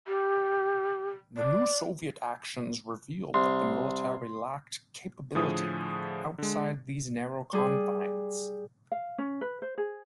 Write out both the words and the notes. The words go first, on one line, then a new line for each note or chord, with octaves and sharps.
The new Soviet actions revealed that the military lacked capability outside these narrow confines.
G4
D5
C2 C6
A2 D3 F3 G#4 D#6
D3 G#3
G3 G#4
F5
C#4
B4
C5
G#4